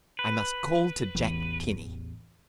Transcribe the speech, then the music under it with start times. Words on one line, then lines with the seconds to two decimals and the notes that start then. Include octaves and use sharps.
"I must call to Jack Penny."
0.19 B4
1.15 A1 E2